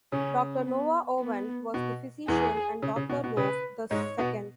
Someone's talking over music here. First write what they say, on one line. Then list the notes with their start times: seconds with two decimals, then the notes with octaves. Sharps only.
Doctor Noah Owen was the physician and Doctor Rowe the second.
0.12 C#3 C#4
0.66 B3
1.20 B3
1.74 B2
2.28 E2 E3 G#4
2.82 C#3
2.96 C#3
3.10 B2
3.24 B2
3.37 C#3 B4
3.91 G#2 G#3 C#5
4.18 B2 B3